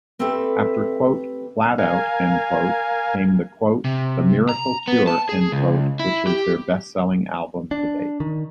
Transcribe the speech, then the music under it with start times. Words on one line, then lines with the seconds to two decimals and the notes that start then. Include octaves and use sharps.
After "Flatout" came "The Miracle Cure", which is their best selling album to date.
0.19 A3 C4 G4 A4 B4 E5
1.78 A#4 F5 G#5
3.85 C3
4.49 A#5
4.88 B3
5.07 A5
5.29 G#4
5.52 C#2
6.00 E4
6.27 G4
7.71 D4
8.20 D#3